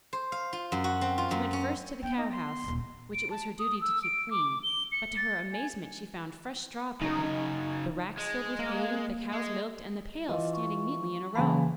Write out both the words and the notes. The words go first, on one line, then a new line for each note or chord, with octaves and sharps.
She went first to the cow-house, which it was her duty to keep clean, but to her amazement she found fresh straw put down, the racks filled with hay, the cows milked, and the pails standing neatly in a row.
C5
F5
F4
F#2
F#4
C4
F4
F#2
C#4
B3 G5
D#4
C6
D#1 C2
D7
A5
D#6
E6
D7
D6
G7
C#7
A6
G#5
C#3 F#3 D#4
G#3
A#3
G#3
E3 F4 D#5
C#6
C#3 E3 F#3 A#3 F5 A5 B5